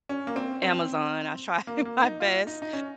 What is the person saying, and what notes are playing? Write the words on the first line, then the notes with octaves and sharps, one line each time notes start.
Amazon. I try my best,
C#4
A#3
C4
C4
A#3
A#3
D#4
F4
D#4
D#4
C#4